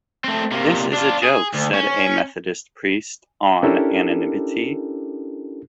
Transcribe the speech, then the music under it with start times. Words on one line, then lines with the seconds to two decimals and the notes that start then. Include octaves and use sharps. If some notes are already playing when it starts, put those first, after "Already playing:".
This is a joke, said a Methodist priest on anonymity.
0.24 A3 C4
0.51 C3 A#3
0.92 D4 F4
1.23 G#4
1.54 D2
1.74 C#4
3.63 C#4 D4 E4 G4 A4 A#4